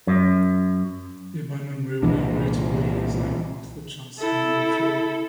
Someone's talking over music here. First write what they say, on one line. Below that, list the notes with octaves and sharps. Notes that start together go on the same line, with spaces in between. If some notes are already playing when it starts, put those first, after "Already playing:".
The abandoned railway right of way is now part of the Trans Canada Trail.
F#2
C2 A#2 E3 D4
E4 A4